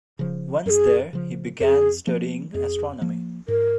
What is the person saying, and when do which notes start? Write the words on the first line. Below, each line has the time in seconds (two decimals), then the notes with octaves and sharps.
Once there he began studying astronomy.
0.19 C#3 F3
0.66 F#2 A#4
0.70 G#4
1.13 C#3 F3
1.60 F2 G#4 A#4
2.07 F3 A#3
2.54 F2 G#4
3.01 F3 A#3
3.48 G#2 A#4